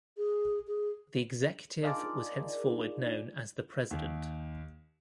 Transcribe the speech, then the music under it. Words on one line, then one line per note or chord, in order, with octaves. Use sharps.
The executive was henceforward known as the president.
G#4
G#4
D4 D#4 F4 G#4 A#4 D5
D#2